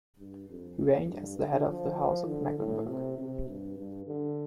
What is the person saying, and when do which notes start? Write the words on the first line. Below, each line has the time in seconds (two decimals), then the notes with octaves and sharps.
He reigned as the head of the House of Mecklenburg.
0.19 G2
0.50 F2
0.79 F2
1.08 G2
1.39 D3
1.69 F3
1.98 F3
2.28 D3
2.59 A2
2.88 C3
3.18 C3
3.48 G2
3.78 G2
4.07 D3